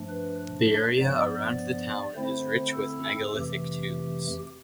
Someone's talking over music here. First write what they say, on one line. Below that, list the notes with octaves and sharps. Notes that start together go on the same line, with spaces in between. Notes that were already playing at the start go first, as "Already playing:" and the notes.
The area around the town is rich with megalithic tombs.
Already playing: G2 F3 A3 D4
B4
G2 F3 B3 D5
D3 A3 C4 E4 C5
A4
A4
F2 C3 E3 A3 G4